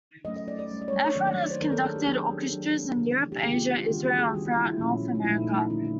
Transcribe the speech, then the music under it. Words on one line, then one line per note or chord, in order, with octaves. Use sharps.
Effron has conducted orchestras in Europe, Asia, Israel, and throughout North America.
F#3 A3 C#4 D#5
D#5
D5
D5
F#3 A3 C#4
D5
C#5
D5
C#5
D#3 F#3 A#3 D4 D5
D5
C5
D#3 F#3 A#3 D4 A#4
A4
G#4
G4
F#3 B3 D4 G#4
F#3 B3 D4
C#3 E3 A3
G4
C#3 E3 A3 G#4
F4
F4
D#3 G3 B3 D4 F#4
G4
G#4
D#3 G3 B3 D4 F#4
F4
E4
E4
A#2 F3 A3 C#4
D#4
A#2 F3 A3 C#4 E4
D#4
D#4
E4
D3 F#3 A#3 D4 E4
D#4